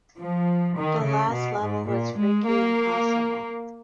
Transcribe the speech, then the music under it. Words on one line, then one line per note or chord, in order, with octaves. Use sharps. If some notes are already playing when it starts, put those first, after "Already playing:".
The last level was freaking impossible!
F3
D#3
C#3
B2
G#2
A#2
G#3
A#3